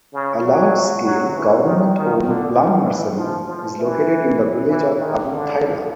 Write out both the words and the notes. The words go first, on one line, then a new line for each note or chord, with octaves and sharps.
A large-scale government-owned plant nursery is located in the village of Abu Thaylah.
C#3
F#3
F#3
E3
D#3
D#3
D3
D#3
E3
F3
F3
E3
E3
D#3
D3